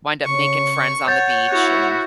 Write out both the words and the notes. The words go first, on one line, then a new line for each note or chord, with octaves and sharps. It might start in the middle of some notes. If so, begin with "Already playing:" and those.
wind up making friends on the beach, and
C#3 C#6
C#5 F#5 G6 A6
E4 F#4